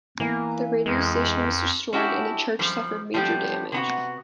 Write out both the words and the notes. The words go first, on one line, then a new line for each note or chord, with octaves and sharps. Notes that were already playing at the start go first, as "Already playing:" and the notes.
The radio station was destroyed and the church suffered major damage.
E3 A#3 B3
F2 G#3
C#4 D4 E4 F#4 G4
F#2 F3 G3
F3 G3 A3 B3 G4
C3 B3 F#4